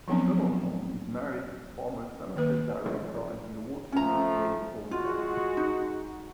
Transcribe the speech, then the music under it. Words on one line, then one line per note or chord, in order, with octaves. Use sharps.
Trebelhorn is married to former Summerfest director and Milwaukee mainstay Bo Black.
F3 F#3 B3 C4 D4
D#3 A#3 B4
F3 A3 C#4 A#5
G#3 F4 F#4
D#4